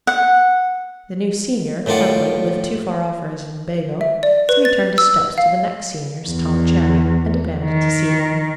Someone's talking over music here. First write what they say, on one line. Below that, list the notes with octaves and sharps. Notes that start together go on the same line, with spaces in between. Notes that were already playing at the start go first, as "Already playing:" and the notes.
The new senior, Huntley, lived too far off for his lumbago; so he turned his steps to the next senior's, Tom Channing, and demanded to see him.
F#5
A2 D#3 D4 F4 F#5
E5
D5
B4
A6
E6
F5
E2
D#3